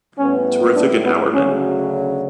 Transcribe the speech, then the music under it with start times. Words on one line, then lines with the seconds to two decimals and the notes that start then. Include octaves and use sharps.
Terrific and Hourman.
0.17 A2 G3 B3 C#4
0.75 D4
1.05 B3
1.33 D2 C#3 F#3 C#4